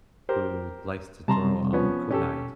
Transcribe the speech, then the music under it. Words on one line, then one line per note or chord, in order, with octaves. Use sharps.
who likes to throw, um, kunai,
G4 A#4 C5
C3 G3 C4 A5 A#5 C6
F3 B3 C#4
B2 C#4 G4 A4